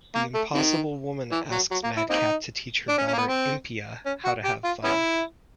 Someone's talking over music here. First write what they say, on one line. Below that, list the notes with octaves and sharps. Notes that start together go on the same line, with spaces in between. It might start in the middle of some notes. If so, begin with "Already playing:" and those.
The Impossible Woman asks Madcap to teach her daughter Impia how to have fun.
A#3
A3
C3 D#3
E3
F#3
F#3
A#3
E4
A#3 C4 D#4
D4
C#4
C#4
A#3
B3
C4
C#4
F#4
G4
F4
B3 C#4 E4